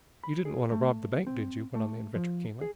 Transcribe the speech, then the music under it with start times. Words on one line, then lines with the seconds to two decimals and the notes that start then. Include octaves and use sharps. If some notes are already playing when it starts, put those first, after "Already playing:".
"You didn't want to rob the bank, did you?" went on the inventor, keenly.
0.23 B5
0.45 G#4
0.72 A3
1.27 C4
1.75 A3
2.15 F3
2.61 G#4